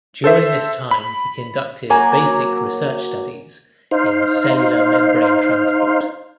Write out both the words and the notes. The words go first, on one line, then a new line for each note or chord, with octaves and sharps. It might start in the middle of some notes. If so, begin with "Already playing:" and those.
During this time he conducted basic research studies in cellular membrane transport.
A4 C5 E5
B5
F#3 A#3 G#5
D#4 C5 F5